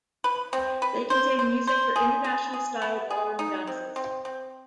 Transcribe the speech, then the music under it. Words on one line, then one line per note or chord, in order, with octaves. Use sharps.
They contain music for International Style ballroom dances.
B4
C4
B4
C5
C5
C5
G#4
G#4
G#4
B3
G#4
D#4
C4
C4
C4